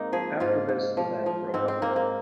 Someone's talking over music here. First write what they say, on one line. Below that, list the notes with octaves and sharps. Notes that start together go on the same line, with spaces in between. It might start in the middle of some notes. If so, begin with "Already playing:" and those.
After this, the band broke up.
Already playing: G#2 A#3 C4 D#4
F3 G#4
G#2 F4
G#2
F3
F3
G#2 C4
C4
G#2 A#3
A#3